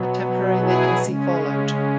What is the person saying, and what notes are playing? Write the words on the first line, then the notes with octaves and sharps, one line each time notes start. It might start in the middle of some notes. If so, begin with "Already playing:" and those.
A temporary vacancy followed.
Already playing: B2 F#3 B3
E4 G#4
C#3 G#3 C#4